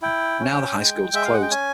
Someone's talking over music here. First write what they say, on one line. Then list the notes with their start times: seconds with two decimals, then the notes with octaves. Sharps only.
Now the high school has closed.
0.02 E4 G5
0.39 C#4
0.77 G#3
1.13 G#3 E5
1.25 F5
1.33 F#5
1.42 G5
1.51 C#4 G#5